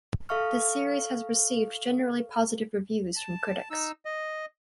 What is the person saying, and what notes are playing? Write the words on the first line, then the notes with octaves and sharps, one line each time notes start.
The series has received generally positive reviews from critics.
A4 E5 F5 C#6 F6
A5
D#4 E6
D#5